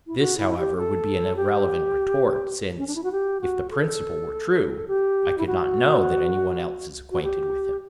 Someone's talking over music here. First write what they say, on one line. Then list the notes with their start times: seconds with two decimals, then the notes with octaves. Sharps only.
This, however, would be an irrelevant retort, since, if the principle were true, I could not know that any one else is acquainted with him.
0.07 E4
0.18 F#4
0.38 E4
0.58 G4
0.77 A4
1.36 G4
2.78 C#4
2.87 D4
2.95 E4
3.04 F#4
3.12 G4
3.41 F#4
3.71 A4
4.88 G4
5.38 E4
5.47 F#4
7.11 F#4
7.23 G4